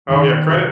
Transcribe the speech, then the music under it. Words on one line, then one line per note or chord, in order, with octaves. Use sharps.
Oh, yeah credit
D#3
C3